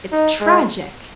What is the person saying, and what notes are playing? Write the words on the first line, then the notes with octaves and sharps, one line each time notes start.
It's tragic.
D#4
G#3